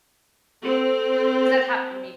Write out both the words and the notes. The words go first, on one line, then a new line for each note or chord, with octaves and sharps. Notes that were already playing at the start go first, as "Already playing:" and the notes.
'cause that's happened to me
C4 A4